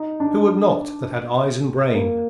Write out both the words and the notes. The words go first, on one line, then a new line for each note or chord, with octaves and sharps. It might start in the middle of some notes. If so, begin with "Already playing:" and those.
Who would not that had eyes and brain?
Already playing: D#4
D4
A#3